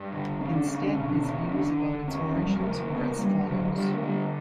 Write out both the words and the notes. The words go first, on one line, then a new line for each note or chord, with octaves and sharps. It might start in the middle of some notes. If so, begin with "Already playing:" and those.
Instead his views about its origins were as follows.
Already playing: G2
D3
D3 C#4
D4
D3 C#4
D4
B2 C#4
D4
E2 C#4
D3 D4
D3
E2 C#4
E2 F#3
G3
F#3
C#3 A#3
C#3 B3
A#3
G2 G3
D3 F#3
D3 G3
A#3
D3 G3